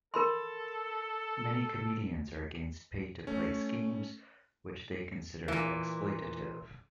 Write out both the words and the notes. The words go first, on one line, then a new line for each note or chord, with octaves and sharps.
Many comedians are against pay-to-play schemes, which they consider exploitative.
A4 A#4 B5 C6
A3 C#4
A#2 E3